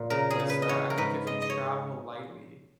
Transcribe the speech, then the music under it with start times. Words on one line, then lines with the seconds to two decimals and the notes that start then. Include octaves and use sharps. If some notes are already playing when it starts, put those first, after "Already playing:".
was that I think if you travel lightly,
Already playing: A#2
0.10 C#3 A#4
0.30 G#4
0.40 C#3
0.49 B4
0.62 D#5
0.68 E3 C#5
0.90 A#4
0.98 G#2 B4
1.27 G#3 D#5
1.42 D#5
1.50 C#5